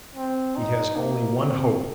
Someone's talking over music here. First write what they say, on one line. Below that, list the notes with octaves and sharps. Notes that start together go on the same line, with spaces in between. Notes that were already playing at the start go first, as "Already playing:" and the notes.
He has only one hope.
C4
D#4
A#3
C4